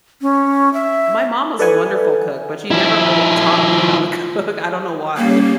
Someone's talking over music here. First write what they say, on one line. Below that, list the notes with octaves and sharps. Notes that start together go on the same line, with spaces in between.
My mom was a wonderful cook, but she never really taught me how to cook. I don't know why.
C#4
E5
A4 B4 D5 E5 F#5 G#5
F3 E4
G3 A#3 C#4